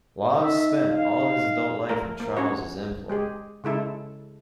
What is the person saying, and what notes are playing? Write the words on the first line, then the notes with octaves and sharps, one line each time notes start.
Lawes spent all his adult life in Charles's employ.
D#4 D#5 E5
F5
A3 A#4
A#3
C#4 D4 F#4 C#5
G#3 G4 G#4
C#3 G#3 E4 A4